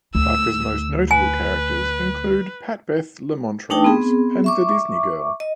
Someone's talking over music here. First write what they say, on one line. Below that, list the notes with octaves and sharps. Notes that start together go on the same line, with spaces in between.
Parker's most notable characters include Pat-Beth LaMontrose and the Disney Girl.
D2 E6
B4 G#5
A3 D4 D#4 G5 A5 D#6
B3 C4 G#4
E5 C#6 D6
D#5